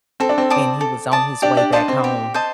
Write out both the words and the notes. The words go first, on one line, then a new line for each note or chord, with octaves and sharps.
And he was on his way back home.
C4 A4
D4
C4
D5 A5 D#6
A4
D5 A5 D#6
D4 G4
D4
D4 C5 D#5 A5
C4
G4
C5 D#5 A5